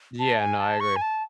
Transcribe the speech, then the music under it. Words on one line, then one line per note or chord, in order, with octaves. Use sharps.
Yeah. No, I agree.
A5
G#5
A5
C#6
G#5
A5